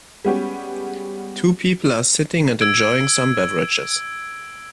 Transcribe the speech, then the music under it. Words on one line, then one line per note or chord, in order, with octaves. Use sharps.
Two people are sitting and enjoying some beverages.
G3 G#3 B3 C#4 F#4 G4
E6 G#6 D7